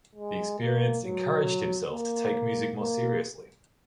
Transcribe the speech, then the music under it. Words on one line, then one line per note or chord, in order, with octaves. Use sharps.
The experience encouraged himself to take music more seriously.
G#3
A#3
F#3
A#3
A#3